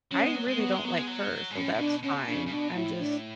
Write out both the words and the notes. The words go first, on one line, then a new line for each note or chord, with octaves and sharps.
I really don't like her, so that's fine. I'm just
F#3 C#4
G#3 B3
F#3
G#3
B3
F#3
G#3
F#3 B3
G#3
F#3
G#2
A2 C#4
C#3
B2 D4
B2 C#4
C#3 D4
C#3
B2 D4
A2 E4
D4